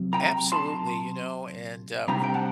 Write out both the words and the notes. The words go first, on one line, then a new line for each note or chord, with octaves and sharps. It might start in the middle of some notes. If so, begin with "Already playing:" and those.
Absolutely, you know, and, uh,
Already playing: C3 F#3
G5 A#5
A5 C6
C3 G3 D4 G5 A#5
G5
F#5 A5